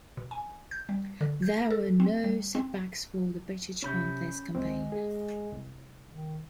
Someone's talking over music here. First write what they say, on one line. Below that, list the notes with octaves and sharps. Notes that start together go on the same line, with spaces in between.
There were no setbacks for the British on this campaign.
B2
G#5
G6
G3
D3
G6
A#6
A4
C4
G3
C4
C3 C#4 B5 G6
C#2 G#3 C4
G#4
C2
D#3